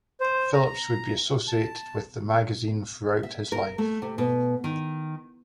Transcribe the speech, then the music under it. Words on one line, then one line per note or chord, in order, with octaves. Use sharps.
Phillips would be associated with the magazine throughout his life.
C5
A#5
A5
E5
A#4
A3
C3
B2
D#3